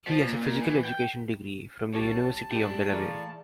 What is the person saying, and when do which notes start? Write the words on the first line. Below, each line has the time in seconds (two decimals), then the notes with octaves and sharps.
He has a physical education degree from the University of Delaware.
0.07 F3
0.23 A#2
0.42 A#2
0.61 E3
0.85 G5
1.94 B1 B2 G4 C#5 A5 A6
2.51 A2 G#3 D4 E4 G4 G5
2.91 A2 E3 G#4 D5 E5 F5 A#5